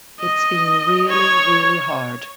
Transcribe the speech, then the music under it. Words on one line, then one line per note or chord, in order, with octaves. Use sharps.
It's been really, really hard.
D#5
C#5